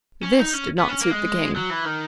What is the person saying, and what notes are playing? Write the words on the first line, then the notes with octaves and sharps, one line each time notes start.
This did not suit the king.
C#4
D#4
C#4
B3
C#4
A#3
G#3
F#3
E3
D#3